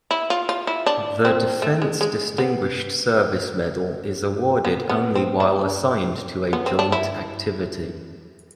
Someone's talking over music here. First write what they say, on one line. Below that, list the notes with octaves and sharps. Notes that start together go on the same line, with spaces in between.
The Defense Distinguished Service Medal is awarded only while assigned to a joint activity.
E4
F4
F4
E4
D4
C4
A3
G#3
G#3
B3
B3
B3
C4
D4
B3
C4
D4
E4